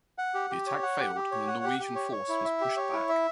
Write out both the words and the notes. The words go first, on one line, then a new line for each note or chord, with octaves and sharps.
The attack failed and the Norwegian force was pushed back.
F#5
G4
G4
C#5
F#5
G4
G4
C#5
F#5
G4
G4
C#5
C#5
E4
E5
G4
C#5
E4
E5